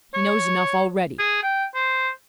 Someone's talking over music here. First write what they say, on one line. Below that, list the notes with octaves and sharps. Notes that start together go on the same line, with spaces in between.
He knows enough already.
C#5
G#4
G5
C5